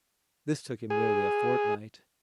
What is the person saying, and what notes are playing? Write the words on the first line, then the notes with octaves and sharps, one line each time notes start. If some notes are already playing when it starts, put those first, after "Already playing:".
This took him nearly a fortnight.
G#4